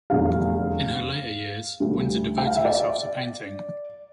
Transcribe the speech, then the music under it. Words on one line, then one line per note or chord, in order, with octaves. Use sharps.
In her later years, Windsor devoted herself to painting.
F1 E2 D3 G3 F5
D2 D3 G3
G5
F5
E5
D5